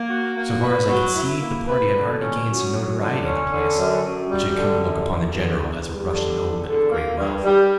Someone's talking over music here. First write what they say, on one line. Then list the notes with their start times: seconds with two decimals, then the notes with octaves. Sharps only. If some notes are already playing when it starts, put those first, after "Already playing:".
So far as I could see, the party had already gained some notoriety in the place, which had come to look upon the General as a Russian nobleman of great wealth.
Already playing: A#3
0.09 F#4
0.35 A#3
0.61 B4
0.87 F#3
1.14 E4
1.40 A#3
1.66 B4
1.92 D3
2.19 C#4
2.45 F#2
2.71 F#3
2.98 D3
3.24 C#4
3.50 D3
3.76 F#2
4.03 F#2
4.29 G3
4.55 D3
4.81 F#2
5.07 D3
5.33 E2
5.61 E2
5.87 G3
6.13 D3
6.39 E2
6.65 D3
6.91 A#3
7.17 G2
7.44 G3